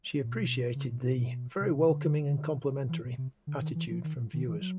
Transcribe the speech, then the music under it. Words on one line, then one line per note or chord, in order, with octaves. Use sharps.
She appreciated the "very welcoming and complimentary" attitude from viewers.
A#2
B2
C#3
B2
B2
B2
C3
C3
D3
E3
B2
C3
D3
D#3
E3
F3
D#3
D#3
E3
F#3